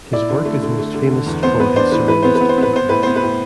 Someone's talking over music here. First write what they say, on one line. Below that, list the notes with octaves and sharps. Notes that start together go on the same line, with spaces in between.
His work is most famous for his surrealist paintings.
E4 D5
D3
A3
D3
A3
D3
D3
E2
B3 C5
B3 B4
D4 C5
E3 B4
E3 B4
B3 C5
B4
B3
C5
B3
B4
B3 C5
A2 B4
B3 C5
B4
A2